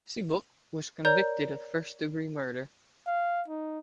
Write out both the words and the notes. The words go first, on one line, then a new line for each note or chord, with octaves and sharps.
Seabok was convicted of first degree murder.
A#4 C#5 D5 A#5 G6
F5
D#4